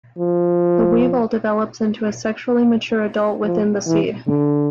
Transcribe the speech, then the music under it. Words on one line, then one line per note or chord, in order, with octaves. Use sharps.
The weevil develops into a sexually mature adult within the seed.
F3
F3
E3
D3